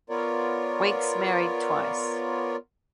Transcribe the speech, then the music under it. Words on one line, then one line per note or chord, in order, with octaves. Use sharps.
Weeks married twice.
B3 F4 A#4 C#5 D5